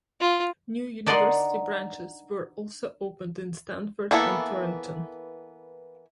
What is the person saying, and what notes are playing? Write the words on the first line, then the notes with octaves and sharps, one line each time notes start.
New university branches were also opened in Stamford and Torrington.
F4
D4 D#4 D5 F#5 A#5 C6
E3 A#3 B3 E4 A4